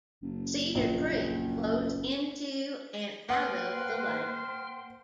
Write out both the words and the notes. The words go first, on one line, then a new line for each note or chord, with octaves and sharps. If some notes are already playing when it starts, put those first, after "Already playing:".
Cedar Creek flows into and out of the lake.
F#1
A#1
A#3 B4 C5 F#5 G5 C6 F6